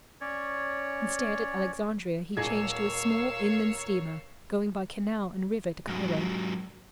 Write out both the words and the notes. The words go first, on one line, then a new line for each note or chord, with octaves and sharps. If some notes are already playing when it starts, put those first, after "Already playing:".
Instead, at Alexandria he changed to a small inland steamer going by canal and river to Cairo.
C#4 C#5 D5
D#1 G#4 A#4 C#5 F5 E6 G#6 C7
G#2 F#3